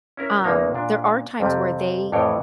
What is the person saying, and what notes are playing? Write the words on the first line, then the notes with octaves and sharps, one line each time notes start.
Um, there are times where they
C#4 E4 A#4
E2 C#3 G#3 A#3 D#4 A#5
A#2 D4
F2 C3 G3
F2 A2 E3 C#5 G5